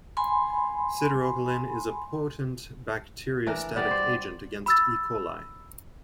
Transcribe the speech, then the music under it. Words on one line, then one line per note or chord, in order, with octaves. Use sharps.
Siderocalin is a potent bacteriostatic agent against "E. coli".
G#5 B5 C6
E3 D4 A#4
G3 B3 D4 D5
C5
B5 E6 A6